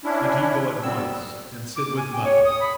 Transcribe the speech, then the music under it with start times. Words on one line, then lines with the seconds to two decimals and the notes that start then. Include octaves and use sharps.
But you go at once and sit with mother.
0.04 C#4 D4 E4
0.82 F#2 G3 B3 C4 E6
1.75 D6
1.96 G#5
2.12 G5
2.24 C#5
2.44 D#6
2.60 B5